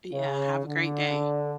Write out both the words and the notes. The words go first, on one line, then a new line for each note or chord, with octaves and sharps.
Yeah, have a great day.
C#3
D3